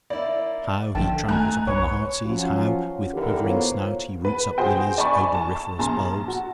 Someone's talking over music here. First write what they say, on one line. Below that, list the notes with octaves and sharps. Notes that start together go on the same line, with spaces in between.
How he tramples upon the heart's-ease: how, with quivering snout, he roots up lilies--odoriferous bulbs!
A#3 E4 D5
A#1 D3 D#3 F3 G5 A5
G#2 D#3 A3 G#5 A#5 F#6
C2 B4 C#5
F3 F#3 C#4 F4 F#4
D#2 D3 E3 G4 A4 A#4
D#2 A#3 B3 F4 C5 C#5
B4
F#4 G#4 C5 G5
D5 G#5 A5 B5 C#6
A5
A#1 A5 A#5 C6
F#4